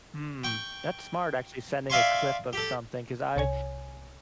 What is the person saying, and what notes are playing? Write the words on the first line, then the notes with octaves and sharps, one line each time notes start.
Mm, that's smart actually sending a clip of something, 'cause I
G5 C#6
D5 E5 F5 G#5 C6 C#6
G4 A4
C2 C3 C#5 G#5